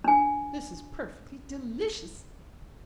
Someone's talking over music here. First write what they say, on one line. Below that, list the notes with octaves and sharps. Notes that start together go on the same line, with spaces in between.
This is perfectly delicious.
D4 G#5